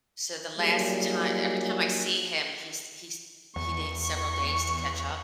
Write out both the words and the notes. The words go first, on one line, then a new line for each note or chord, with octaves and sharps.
So the last ti every time I see him, he's he's he needs several days to catch up
F#3 G3 A#3 D#4 F4 G#4
E2 C#6